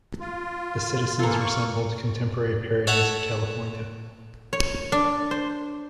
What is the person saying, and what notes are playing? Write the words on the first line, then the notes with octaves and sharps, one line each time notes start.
The citizens resembled contemporary parodies of California.
F4
E3 A#3 F4 A4
C#6
A4 C#5 E5 F#5
C#5
D4
C5